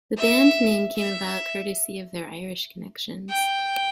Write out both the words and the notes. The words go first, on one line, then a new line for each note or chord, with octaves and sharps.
The band name came about courtesy of their Irish connections.
E5
E5
G5